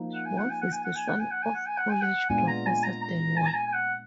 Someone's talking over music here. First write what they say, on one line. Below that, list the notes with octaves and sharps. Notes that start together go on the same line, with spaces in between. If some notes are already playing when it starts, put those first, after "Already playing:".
Wolf is the son of college professor Dan Wolf.
Already playing: F3 A#3 D#4
F#5
G#5
F#5
G#5
F#5
G#5
F#5
G#5
F#5
G#5
F#5
G#5
F#5
G#5
F#5
G#5
F#5
A#2 G#3 B3 D4 F4 G#5
A#5
G#5
A#5
A#5
G#5
A#5
G#5
G#5
F#5